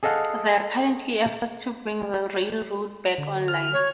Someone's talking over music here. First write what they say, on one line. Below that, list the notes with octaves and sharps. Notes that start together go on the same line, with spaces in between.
There are currently efforts to bring the railroad back online.
G#4 A4 D#5 F5 F#5
D3
F6
C#5